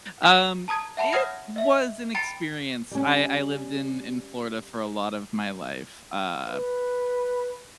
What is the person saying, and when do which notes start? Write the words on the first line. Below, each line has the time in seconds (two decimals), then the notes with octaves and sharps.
Um, it was an experience, I I lived in in Florida for a lot of my life, uh,
0.23 A#5 B6
0.68 A5 A#5 D#6 G#6
0.97 E5 F#5 A5 B5
1.12 C#5 F#5 D#6 F6 G#6 A#6
1.56 D#5 E5
2.15 G5 A#5 B5 A6 C#7 D7
2.91 G3 C#4
6.49 B4